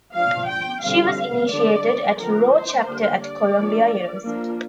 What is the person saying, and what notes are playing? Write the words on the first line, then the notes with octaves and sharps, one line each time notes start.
She was initiated at Rho Chapter at Columbia University.
F3 D4 F5
G5
D3 G3 C4 F5
D3 G3 D4 D5
D3 F3 C4 A#4
C5
D3 G3 A#3 D4
D5
F3 A#3 D4
F3 A#3 D4